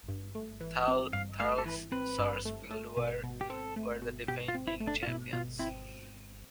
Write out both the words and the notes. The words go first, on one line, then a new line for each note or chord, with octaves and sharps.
Thurles Sarsfields were the defending champions.
G2
A3
E3
C4
G2 F5
A3 F5
A4
E3 B4
C4 B4
G2
A3
A3
B2
B2
G4
C4 A4
A3
B2
B2 G4
F4
C4
E4
A3
D4
F4
B2 E4
B2 F4
C4 E4